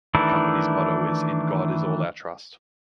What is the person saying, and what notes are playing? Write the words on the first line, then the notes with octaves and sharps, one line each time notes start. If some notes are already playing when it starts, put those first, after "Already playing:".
The Company's motto is "In God Is All Our Trust".
D#3 E3 A3 D4 E4